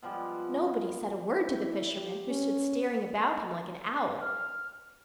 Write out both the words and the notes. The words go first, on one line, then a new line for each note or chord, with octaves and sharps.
Nobody said a word to the fisherman, who stood staring about him like an owl.
B2 F3 G3 G#3
E4
G4
C#4
F6